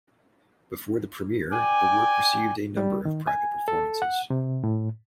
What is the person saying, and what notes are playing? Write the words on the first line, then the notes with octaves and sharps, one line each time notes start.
Before the premiere the work received a number of private performances.
D5 G5 G#5
G3
D#3
G#5
A4
F#5
C3
A2